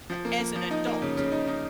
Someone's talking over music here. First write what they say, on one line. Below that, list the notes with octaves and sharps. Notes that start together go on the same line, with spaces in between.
a as an adult.
F3
A#3
A#3
F3
D#4
A#3
C#3
C#3
D#4
D#4